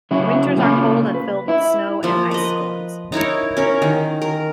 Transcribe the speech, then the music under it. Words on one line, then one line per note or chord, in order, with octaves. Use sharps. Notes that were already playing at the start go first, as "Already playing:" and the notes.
Winters are cold and filled with snow and ice storms.
C#3 F#3 E4 F#4
C#3 A#3 F4 B5
B4
E4 E5
F3 A#3
B4 D#5
D#4 E4 A#4 C#5
C#4 A#4
D#3
A#4